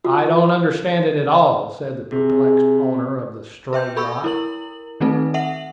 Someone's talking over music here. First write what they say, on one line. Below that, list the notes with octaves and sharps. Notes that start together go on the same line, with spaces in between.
"I don't understand it at all," said the perplexed owner of the stray yacht.
F4
C3 G#4
B4 E5 G5 G6
A4 B5 C#6 E6
E4 A#4 F#7
D#3 A3 C4 D#4 A4 B4
E5 F#5 F#7